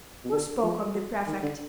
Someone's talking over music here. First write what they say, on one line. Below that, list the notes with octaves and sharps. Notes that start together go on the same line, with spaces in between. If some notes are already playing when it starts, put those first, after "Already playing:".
'Who spoke of the prefect?
B2
D3
F3
F#3
D#3
D3